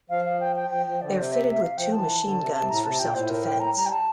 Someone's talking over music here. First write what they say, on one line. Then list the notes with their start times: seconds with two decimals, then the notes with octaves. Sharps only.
They are fitted with two machine guns for self-defence.
0.10 F3 F5
0.25 F5
0.40 G5
0.56 G5
0.70 F3 G5
0.86 F3 G5
1.01 D3 D5
1.17 C3 C5
1.32 E5
1.47 E5
1.62 F5
1.77 F3 G5
1.92 E3 A5
2.23 D3
2.38 C3
2.54 C3 A5
2.68 A2 A#5
2.84 C3 A5
2.99 A#2 G5
3.14 A2 C5
3.30 A#4
3.45 G5
3.60 A#5
3.75 G3 A#5
3.86 G5
3.91 A5